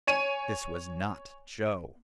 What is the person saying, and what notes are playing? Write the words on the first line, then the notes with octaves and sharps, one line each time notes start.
This was not Joe.
C#5 G#5 D#7